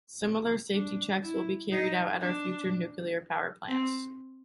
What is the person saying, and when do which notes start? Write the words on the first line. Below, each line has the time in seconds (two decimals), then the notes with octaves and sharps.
Similar safety checks will be carried out at our future nuclear power plants.
0.74 D4
1.23 E4
1.71 D#4
2.20 D4
3.67 C4